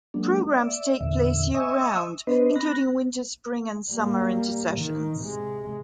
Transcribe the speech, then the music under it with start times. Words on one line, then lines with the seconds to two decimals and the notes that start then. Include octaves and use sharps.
Programs take place year round including winter, spring and summer intersessions.
0.14 F#3 G#3 A#3 D4
0.51 D5 E5
1.01 E2 A#2 D3 E5
1.54 D#5 E5 G#5 C#6 D#6 E6
2.27 B3 D4 B4 C5 D#5
2.56 C4 B5 F#6 A#6
3.91 G3 A#3
4.78 D#3
5.19 C3 G#3